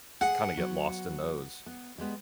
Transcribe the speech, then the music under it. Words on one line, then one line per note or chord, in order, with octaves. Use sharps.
kinda get lost in those.
G#4 F#5
F#3 B3
B3
G3 G#3 B3